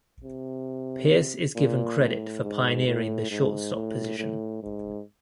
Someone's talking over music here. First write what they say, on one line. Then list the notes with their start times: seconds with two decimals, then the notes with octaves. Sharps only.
Pearce is given credit for pioneering the shortstop position.
0.24 C3
1.55 A#2
1.99 A2
2.43 G#2
2.87 A2
3.31 G#2
3.74 A2
4.19 A2
4.63 G#2